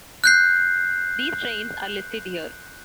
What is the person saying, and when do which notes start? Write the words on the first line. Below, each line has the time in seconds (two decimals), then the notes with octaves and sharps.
These trains are listed here.
0.24 F#6 G6 C7